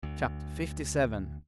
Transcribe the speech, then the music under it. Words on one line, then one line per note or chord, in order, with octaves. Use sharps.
Chapter LVII.
D2